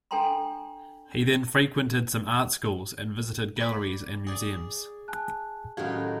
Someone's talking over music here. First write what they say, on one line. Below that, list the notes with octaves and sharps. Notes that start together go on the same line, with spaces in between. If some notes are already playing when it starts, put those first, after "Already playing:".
He then frequented some art schools, and visited galleries and museums.
D4 A4 G5 G#5 A#5 C6
D5 B5
G#4 D5
G#5 A5 F#6
A2 D#3 F#3 C#4 G4 F5 G#6